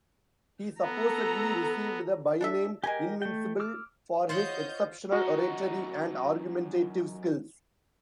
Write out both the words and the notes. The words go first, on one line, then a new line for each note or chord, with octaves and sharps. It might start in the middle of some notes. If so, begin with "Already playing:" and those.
He supposedly received the byname "invincible" for his exceptional oratory and argumentative skills.
B3 A4 A#5
D4 A4 E5
G#3 G4 A#4 G#5
A3 G5
D6 E6 F6
F4 C5 C#5 D#5 F#5 G6
F#2 D#4 F#4